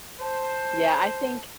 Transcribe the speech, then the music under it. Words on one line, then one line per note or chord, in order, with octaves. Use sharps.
Yeah, I think,
C5 A5